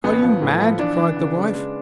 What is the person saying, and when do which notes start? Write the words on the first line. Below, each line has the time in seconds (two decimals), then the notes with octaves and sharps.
'Are you mad?' cried the wife.
0.04 A1 B3
0.22 F3
0.42 A2
0.60 F3
0.78 E3 D4
0.98 E3
1.17 C#3
1.35 C#3
1.54 G#3